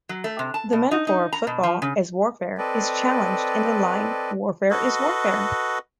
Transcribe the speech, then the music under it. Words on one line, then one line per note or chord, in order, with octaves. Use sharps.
The metaphor of football as warfare is challenged in the line warfare is warfare.
F#3
A3
C3
A5
B2
D#4
D#4
A#5
B2
F3
C#3
C4 A4 B4 D5 D#5
F#4 A4 B4 D#5